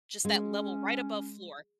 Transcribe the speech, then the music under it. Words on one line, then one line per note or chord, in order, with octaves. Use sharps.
just that level right above floor.
G#3 C#4